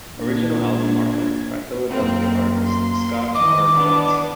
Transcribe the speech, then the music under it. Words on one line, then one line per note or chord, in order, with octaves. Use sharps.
Original album artwork by Philadelphia artist Scott R. Johnston.
A#2 D4 G#6
F#2 A#3 C4
C6
D#3 E3 D#5 D6
B3 D4